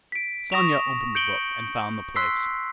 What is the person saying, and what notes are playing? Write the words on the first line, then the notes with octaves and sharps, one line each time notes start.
Sonia opened the book and found the place.
B6 D7
C#6 D#6 A#6 E7 F7
G6 C#7 D7 F#7 G7
C6 E6 F#6 B6 C7